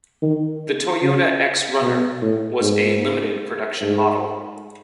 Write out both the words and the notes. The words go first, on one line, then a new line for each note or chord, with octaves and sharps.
The Toyota X-Runner was a limited production model.
D#3
C#3
B2
A2
G#2
G#2